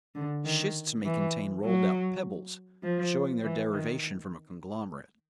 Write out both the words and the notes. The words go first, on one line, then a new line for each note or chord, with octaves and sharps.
Schists may contain rolled-out pebbles, showing their derivation from a conglomerate.
D3
D#3
E3
F#3
F3
E3
D#3